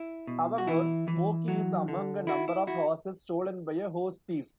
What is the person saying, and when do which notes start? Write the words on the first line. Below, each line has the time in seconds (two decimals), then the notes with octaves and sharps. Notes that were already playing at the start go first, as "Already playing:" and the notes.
However, Smoky is among a number of horses stolen by a horse thief.
Already playing: E4
0.27 B2
0.58 F#4
0.67 E3 E4
1.08 E3
1.48 F#3
1.88 D3
2.27 E4 F#4
2.48 E4
2.67 E4 F#4